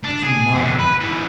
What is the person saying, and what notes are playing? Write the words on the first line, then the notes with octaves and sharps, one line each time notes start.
The king nodded.
D4
G#4
F2 D3
B4
G#2 E3